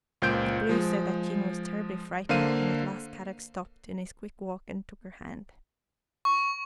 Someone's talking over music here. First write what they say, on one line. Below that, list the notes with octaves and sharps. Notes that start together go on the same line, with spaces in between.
It blew so that Jean was terribly frightened and at last Kadok stopped in his quick walk and took her hand.
C#2 A#2 C5 G6 D7
F3 G#3
D3 A#3 C5 F5 D#7
C#6